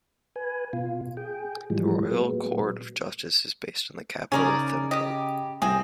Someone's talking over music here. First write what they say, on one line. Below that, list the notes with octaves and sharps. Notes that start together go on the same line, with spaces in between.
The Royal Court of Justice is based in the capital Thimphu.
B4 G#5
B2 F4
G#4 G5
G#2 E3 F3 G3 G#3
A#2 F#3 G#3 B3
C#3 C#4 D#4 G#4 A#4 D5
G4 D#5
C2 C4 G#4 D#5